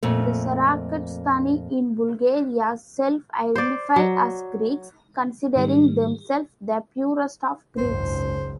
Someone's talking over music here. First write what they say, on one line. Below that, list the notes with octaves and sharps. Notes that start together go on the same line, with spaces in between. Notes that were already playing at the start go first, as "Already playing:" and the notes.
The Sarakatsani in Bulgaria self-identify as Greeks, considering themselves the purest of Greeks.
F2 A#2 A3
C5 D5
F#3
G#2 D#3 G3
G#1 C#2 F#2 C5